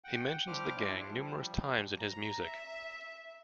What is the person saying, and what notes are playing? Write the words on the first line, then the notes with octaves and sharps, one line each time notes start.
He mentions the gang numerous times in his music.
F#5 G5
F3 G3 G4 C5 D6 F6
D4 E4 C5
F3 G3
A#5
E5